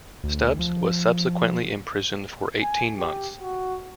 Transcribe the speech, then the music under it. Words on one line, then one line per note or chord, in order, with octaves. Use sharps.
Stubbs was subsequently imprisoned for eighteen months.
D2
F3
G#5
G4
F#4